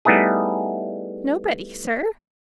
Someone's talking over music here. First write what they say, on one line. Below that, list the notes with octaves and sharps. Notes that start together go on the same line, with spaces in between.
"Nobody, sir."
G3 A3 B3 D#4 E4 G#4